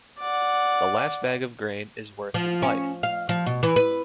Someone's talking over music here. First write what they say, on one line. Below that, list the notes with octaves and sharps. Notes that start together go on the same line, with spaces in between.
The last bag of grain is worth his life.
D5 F#5
F3
C#4
F5
F3
B2
E3
B4